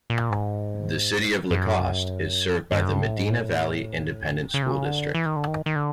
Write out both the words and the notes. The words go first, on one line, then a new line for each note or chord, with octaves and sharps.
The City of LaCoste is served by the Medina Valley Independent School District.
A#2
G#2
F#2
G2
F#2
G2
A2
G#2
A2
C#3
C3
C#3
D3
E3
D#3
D3
D#3
D#3
D3